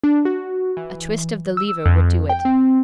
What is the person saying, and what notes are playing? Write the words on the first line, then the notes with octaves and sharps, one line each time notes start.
A twist of the lever would do it.
D4
F#4
E3
E6
F2
G5
C4